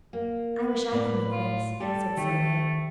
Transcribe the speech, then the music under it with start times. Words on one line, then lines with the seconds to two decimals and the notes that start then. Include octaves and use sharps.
"I wish I could make lace," said Sylvia.
0.13 A#3
0.66 B4
0.92 A2 D5
1.32 F4
1.80 G3 G4 A4 D5
2.17 D#3 A3 G4